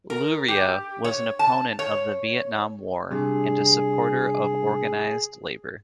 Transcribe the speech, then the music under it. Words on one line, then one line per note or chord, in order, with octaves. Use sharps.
Luria was an opponent of the Vietnam War and a supporter of organized labor.
A#4
G4
C#5
A5
C#5
C3 G3 D4 G#4